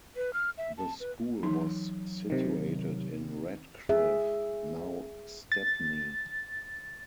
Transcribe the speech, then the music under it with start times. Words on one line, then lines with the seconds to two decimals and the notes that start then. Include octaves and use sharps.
The school was situated in Ratcliff, now Stepney.
0.16 B4
0.34 F6
0.58 E5
0.78 A5
1.00 B4
1.43 E3 F#3 D#4
2.30 C3 D#3
3.89 G#4 E5
5.52 A6